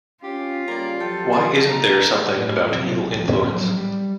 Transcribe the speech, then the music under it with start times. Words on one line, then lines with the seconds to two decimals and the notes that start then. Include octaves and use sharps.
Why, isn't there something about evil influence?
0.23 C#4 F4 G4
0.68 C#3 G3 A#3 C#4 D5 A#5
1.00 F3 F#3 G4 A4 G5
1.32 A4 D#5 C6
1.69 A5 A#5
2.37 A2
2.69 B1 C3 D#3 F#3
3.14 C2 F3
3.28 F1 B1 B3 C#4
3.51 A#1 A2 F#3
3.77 G3